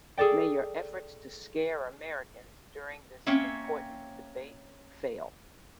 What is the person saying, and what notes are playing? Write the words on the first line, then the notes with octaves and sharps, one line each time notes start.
May your efforts to scare Americans during this important debate fail.
G#4 A4 D5 G5
A#3 C4 C#4 C#5 E5 G5